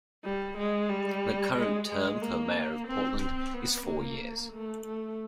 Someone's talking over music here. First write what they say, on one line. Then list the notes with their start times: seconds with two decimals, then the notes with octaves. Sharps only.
The current term for mayor of Portland is four years.
0.24 G3
0.57 G#3
0.89 G3
1.56 G#3
1.89 G#3
2.22 A#3
2.87 C4
3.21 C4
3.53 B3
3.86 A#3
4.52 A3
4.85 A3